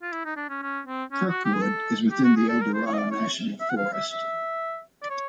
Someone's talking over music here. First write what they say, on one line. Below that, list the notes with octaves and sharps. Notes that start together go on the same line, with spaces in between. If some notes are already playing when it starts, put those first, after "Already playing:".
Kirkwood is within the Eldorado National Forest.
F4
E4
D#4
D4
C#4
C#4
C4
C#4
F#4
G4
G#4
A4
G4
F#4
G#4
A4
A#4
C5
C#5
D#5
D5
C#5
E5
F#5
F5
E5
E5
D5
C#5